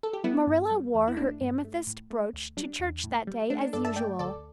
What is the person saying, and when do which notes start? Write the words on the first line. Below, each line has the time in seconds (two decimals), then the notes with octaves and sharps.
Marilla wore her amethyst brooch to church that day as usual.
0.03 A4
0.13 G4
0.24 G3 B3 E4
0.47 G2
0.71 G3
0.94 E2
1.08 E4
1.17 A3 D4
1.41 G2
1.64 A3
1.87 A2
2.10 A3
2.33 D2
2.57 G3 D4
2.80 E2
3.04 A2
3.27 G3
3.50 A3 D4
3.61 D4
3.73 G2 A4 D5
3.85 E5 A5
3.96 A3 D5 G5
4.19 D2 A4 D5